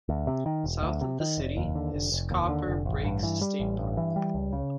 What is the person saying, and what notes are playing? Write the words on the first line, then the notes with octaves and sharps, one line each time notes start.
South of the city is Copper Breaks State Park.
D2
C3
D#3
E1
D2
C3
D#3
F1
D#2
D3
F1
F1
D#2
D3
F1
A1
G2
E3
G3
A1
G2
E3
G3
C#2
C#3